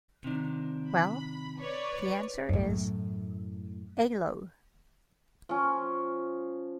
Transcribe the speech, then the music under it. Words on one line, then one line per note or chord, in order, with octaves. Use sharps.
Well, the answers is... A lo.
C3 D#3 D4
B5
B4 C#5 D5
F#2 A2
F3 C#4